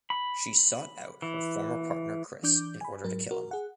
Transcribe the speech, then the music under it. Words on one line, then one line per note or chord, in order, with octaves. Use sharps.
She sought out her former partner Chris in order to kill him.
B5
E3
E3 D4 D6 G6
G#5 B5
G#2 F#3 A#4
F#4 A#4
G#4 F#5